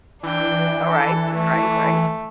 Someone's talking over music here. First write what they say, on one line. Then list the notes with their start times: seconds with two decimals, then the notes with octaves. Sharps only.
Alright. Right, right.
0.23 E3 D4 G5
0.91 A4
1.35 A3